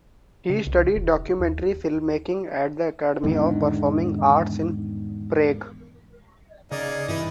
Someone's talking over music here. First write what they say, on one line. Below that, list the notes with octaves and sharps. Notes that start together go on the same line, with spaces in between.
He studied documentary filmmaking at the Academy of Performing Arts in Prague.
C#3
C2
E1
D#2
E2 G#2 D3 D#3
C#3 A#3 D#4 G#4 D5
G2 E3 D#4 B4